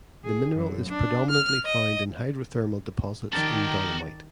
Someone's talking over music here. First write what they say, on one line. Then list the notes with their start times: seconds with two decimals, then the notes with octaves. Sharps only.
The mineral is predominantly found in hydrothermal deposits in dolomite.
0.23 G#4
0.55 F#2
0.88 D4
1.29 F6
1.64 D#5
3.33 D#3 D#4 F#4 G4 A#4 D5 G5 A5